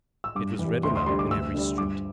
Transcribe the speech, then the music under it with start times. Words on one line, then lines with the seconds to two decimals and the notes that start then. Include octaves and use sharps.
It was read aloud in every street.
0.24 E6
0.35 G2 D6
0.59 E3
0.64 G3
0.83 D2 C6
0.96 C6
1.06 D3 G3 C6
1.19 D6
1.30 D2 E6
1.54 D3 G3
1.78 G2 D6